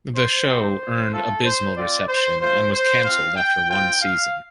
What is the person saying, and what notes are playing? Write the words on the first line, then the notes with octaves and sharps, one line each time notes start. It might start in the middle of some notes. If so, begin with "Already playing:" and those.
The show earned abysmal reception and was cancelled after one season.
C5
C4 G4 C5
A3 F4 A4
C5
C4 F4 D5
C5
A3 F4 C5
C5
C4 F4 F5
G5
C4 F4 G5
F5